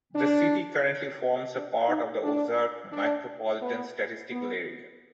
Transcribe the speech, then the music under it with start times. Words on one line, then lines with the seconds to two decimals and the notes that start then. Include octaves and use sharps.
The city currently forms a part of the Ozark micropolitan statistical area.
0.15 D4
1.54 D4
1.88 D#4
2.23 D4
2.92 D4
3.61 B3
4.31 B3